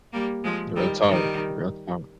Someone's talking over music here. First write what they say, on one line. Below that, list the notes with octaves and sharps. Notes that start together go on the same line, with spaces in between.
Real talk, real talk.
G3 A#3
F3 G#3
D#3 G3
D#3 G3